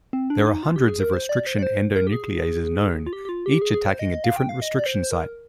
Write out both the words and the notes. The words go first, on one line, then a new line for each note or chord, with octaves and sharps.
There are hundreds of restriction endonucleases known, each attacking a different restriction site.
C4
D4
D#4
F4
G4
G#4
A#4
C5
D5
C5
D5
C5
A#4
G4
G#4
F4
G4
G4
F4
G4
G#4
G#4
C5
D#5
D#5
F5
G5
F5
D#5
D5
C5
C5
A#4